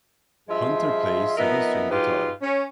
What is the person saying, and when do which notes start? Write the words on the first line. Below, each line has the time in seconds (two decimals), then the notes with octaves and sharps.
Hunter plays seven-string guitar.
0.49 G2 F3 G#3 F4 G#4 E5
1.37 F3 B3 D#4 A#4 D#5 E5
1.90 F#3 D#4 F4 G4 G#4 B4
2.42 C#4